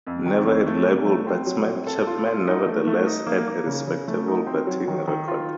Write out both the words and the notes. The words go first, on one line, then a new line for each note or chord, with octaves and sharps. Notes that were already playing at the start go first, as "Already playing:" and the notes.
Never a reliable batsman, Chapman nevertheless had a respectable batting record.
F2
D#3
F2
A3
C3
A3
C4
F#3
C4
A4
F4
F4
D#4
A3
A3
D#4
A#3
A#3
C#3
C#3
A3
D#4
C4
F#3
D#3
D#3
F4